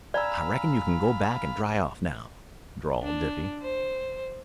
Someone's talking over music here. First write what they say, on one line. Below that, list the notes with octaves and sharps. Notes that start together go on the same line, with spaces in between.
"I reckon you kin go back and dry off now," drawled Dippy.
D5 F5 G#5 A#5 B5 E6
D4
C5